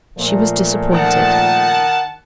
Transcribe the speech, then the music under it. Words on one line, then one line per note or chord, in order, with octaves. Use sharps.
She was disappointed.
A#2 F3 A3
D#3 F#5 A5